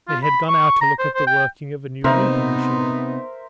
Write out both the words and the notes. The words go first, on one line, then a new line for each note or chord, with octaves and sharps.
They had gone out to look at the working of a new reaping machine.
F4
B5
C#6
A#5
C5
C5
G5
C3 A#3 B3 D#4 A#4 C5 E5